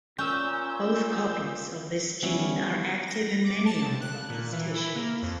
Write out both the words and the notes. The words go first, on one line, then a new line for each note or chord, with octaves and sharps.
Both copies of this gene are active in many of the body's tissues.
A#2 C#4 E6 G6
E3 G3 B3 C#4 E4
A#6
D6
A5
C3
F#6
A#2
E3
E4
A#3
F2